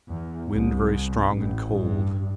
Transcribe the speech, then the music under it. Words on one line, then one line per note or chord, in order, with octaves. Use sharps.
Wind very strong and cold.
E2
C2
A1
G2